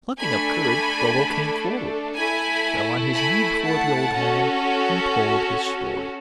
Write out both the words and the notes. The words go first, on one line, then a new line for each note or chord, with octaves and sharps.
Plucking up courage, Bobo came forward, fell on his knee before the old man, and told his story.
A3 D4 A4 G#5 B5
A3 E4 A4 G#5 B5
G#5 B5
F#5 A5
C#4 F#4 A4